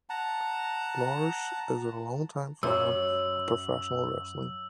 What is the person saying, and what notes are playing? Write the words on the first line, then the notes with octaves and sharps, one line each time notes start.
Lars is a longtime fan of professional wrestling.
F#5 A5 A#5
F#2 E6